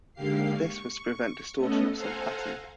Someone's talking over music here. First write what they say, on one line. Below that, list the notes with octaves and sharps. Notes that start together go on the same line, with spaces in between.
This was to prevent distortion of some patterns.
G#2 D3 A#3 G4 F5 C7
C#6
A3 B3 C#4 A4 D#5
A4 C5 F5 F#5 G#5 A#5